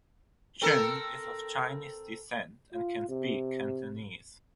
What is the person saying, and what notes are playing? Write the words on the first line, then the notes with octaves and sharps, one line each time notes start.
Shen is of Chinese descent and can speak Cantonese.
C4 A4 A#4
F4
C3